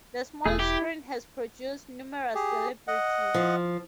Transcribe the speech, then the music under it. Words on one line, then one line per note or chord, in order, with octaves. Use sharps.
The small screen has produced numerous celebrities.
E1 A3 G#4
E4 G4
G4 G#4
D#5 F#5
F3